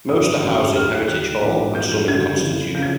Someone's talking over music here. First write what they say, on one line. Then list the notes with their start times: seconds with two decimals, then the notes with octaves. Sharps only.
Most are housed in Heritage Hall and some in Constitution.
0.09 G1 G2 D3 F#3 D#6
0.42 G#1 F#2 D#3 G3
0.75 D#2 D#3 F#3 F6
0.91 F#6
1.08 D#2 D#3 F#3 F#6
1.42 A#1 G#2 E3 G3
1.75 G#1 G#2 F3 G6
1.92 G6
2.08 F#1 F#2 D3 G3 G#6
2.41 F2 C#3 E3
2.75 C#3 F3 G6
2.82 G#6